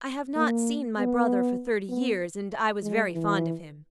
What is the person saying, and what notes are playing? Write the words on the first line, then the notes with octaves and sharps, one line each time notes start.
"I have not seen my brother for thirty years, and I was very fond of him."
A#3
B3
B3
G#3
E3